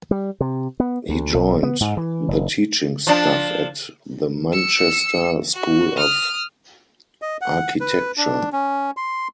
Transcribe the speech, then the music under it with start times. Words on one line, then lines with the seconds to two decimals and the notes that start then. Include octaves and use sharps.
He joined the teaching staff at the Manchester School of Architecture.
0.11 G3
0.40 C3
0.80 B3
1.09 D2
1.34 B1
1.63 B3
1.81 G#2
1.97 E3
2.28 F#1
3.07 F3 D4
4.53 E6 C#7
5.54 F#4
5.97 D#6 F6
7.22 D#5
7.41 F#5
7.81 B4
8.17 D4
8.52 C#4
8.97 C6